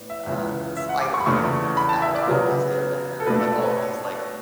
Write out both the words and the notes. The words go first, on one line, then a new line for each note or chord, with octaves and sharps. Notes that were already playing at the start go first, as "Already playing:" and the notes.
Uh, Spider-Man and Avatar: The Last Airbender, and like all of these, like,
Already playing: A2 B3 D4
E5
C#2 C#3 E3
E5
F#5
D6
C#6
B5
E2 C#3 E3 A3 D4 C#6
B5
A5
E5
D5
C#3 F#3 B3
A4
B2 A3 D4 B4
A4
A4
C#5
B4
C#5